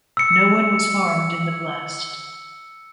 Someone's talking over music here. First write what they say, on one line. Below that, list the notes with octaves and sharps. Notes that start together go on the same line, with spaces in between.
No one was harmed in the blast.
E6 C#7